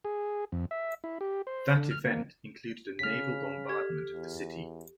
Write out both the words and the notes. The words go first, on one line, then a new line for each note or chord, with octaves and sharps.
That event included a naval bombardment of the city.
G#4
F2
E5
E4
G4
C5
D3
F6
A#3
C#3 F6 B6
G4 A4 G#6
E2